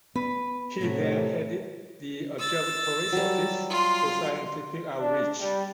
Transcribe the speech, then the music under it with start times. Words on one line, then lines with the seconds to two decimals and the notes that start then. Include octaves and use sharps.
He then headed the Observatory’s office for scientific outreach.
0.15 B3 B4
0.81 A2 C3 F#3 A3
2.39 E6 A6
3.12 F#3 G3
3.70 F4 C6
4.98 D4
5.40 G3